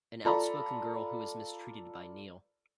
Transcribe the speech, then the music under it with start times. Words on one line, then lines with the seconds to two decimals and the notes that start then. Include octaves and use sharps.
An outspoken girl who is mistreated by Neal.
0.25 F4 A4 D5 A#5 B5